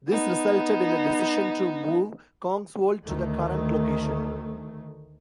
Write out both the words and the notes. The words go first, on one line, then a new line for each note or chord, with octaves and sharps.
This resulted in a decision to move Kongsvold to the current location.
B3 D#4
D2 D#3 A3